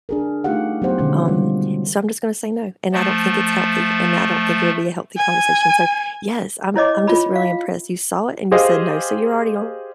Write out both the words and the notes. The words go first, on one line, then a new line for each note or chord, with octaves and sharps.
um, so I'm just gonna say no, and I don't think it's healthy, and I don't think it would be a healthy conversation," so yes, I'm I'm just really impressed, you saw it and you said no, so you're already on
D4 G#4 A#4
A3 D#4 F4 G4 F5 F#5
F#3 B3 G4 C5 F#5
B2 D3 D#3 G#3 C#4
G3 F4
F3 A3
G#5
E4 C#5 D#5 D6
F4 B5
F5
G4 G#4 C5 D#5 F5